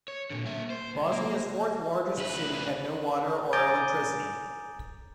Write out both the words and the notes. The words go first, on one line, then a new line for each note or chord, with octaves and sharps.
Bosnia's fourth-largest city had no water or electricity.
C#5
A#2 D3
A#3 E5
C5
C#2
A#3
D2 B4
G#5 A#5 D6 D#6 G6 A6